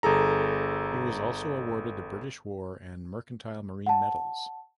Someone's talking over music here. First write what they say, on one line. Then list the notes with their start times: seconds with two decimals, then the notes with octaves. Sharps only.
He was also awarded the British War and Mercantile Marine Medals.
0.03 G1 G#4 A4 A#5
3.86 F#5 A5